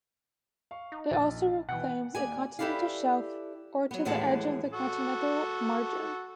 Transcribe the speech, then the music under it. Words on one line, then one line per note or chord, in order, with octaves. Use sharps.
It also claims a continental shelf, or to the edge of the continental margin.
F5 C#6
D#4
A#1 A6
B2 E3 F#5 G5 C#7
D#2 D5 G#5
E4 G4 A4 B4 D5 F5
F#3 B3
D#2 A2 E3 G#3 F#5 A5
F#4 A4